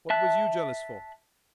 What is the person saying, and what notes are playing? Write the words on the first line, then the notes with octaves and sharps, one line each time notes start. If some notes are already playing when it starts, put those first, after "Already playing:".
What was you jealous for?
E5 A5 F#6